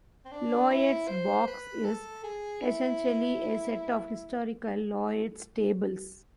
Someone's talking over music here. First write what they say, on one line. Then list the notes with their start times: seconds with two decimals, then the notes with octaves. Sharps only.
Lloyd's Box is essentially a set of historical Lloyd's Tables.
0.25 C4
0.31 D4
0.70 E4
1.08 C5
1.47 B4
1.85 A4
2.23 G#4
2.62 E4